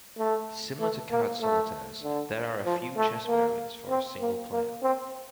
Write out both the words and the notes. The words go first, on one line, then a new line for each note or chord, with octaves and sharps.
Similar to card solitaires, there are a few chess variants for a single player.
A3
A3
A#3
A3
D3
F3
A3
A#3
C4
A#3
A#3
C4